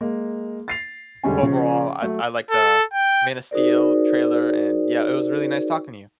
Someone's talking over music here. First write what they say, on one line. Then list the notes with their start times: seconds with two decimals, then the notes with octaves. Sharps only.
overall I I like the Man of Steel trailer, and yeah, it was really nice talking to you.
0.01 G#3 A#3
0.68 A6 C7 F7
1.24 F1 D3 G3 G#3 C#4 G#5
1.43 C#3 F3 C#4
2.02 F#3 A3
2.50 A4
2.93 G5
3.51 D#4 F#4 G#4 A#4 C5 D5